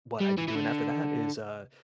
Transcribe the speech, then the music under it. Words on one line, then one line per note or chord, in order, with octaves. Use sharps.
What I'd be doing after that is, uh
G3
E3
E3
D3